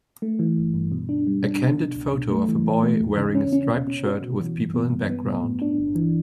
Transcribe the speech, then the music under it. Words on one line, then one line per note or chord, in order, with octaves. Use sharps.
A candid photo of a boy wearing a striped shirt with people in background.
A3
E3
G1
G2
B2
D4
G3
D4
B2
B2
C#2
B2
A3
E3
A2
A3
E2
C#3
C#4
C#4
B2
C#4
F#4
B2
E3
G2
B3
G2
B3
A2
A2
D4
G1
E3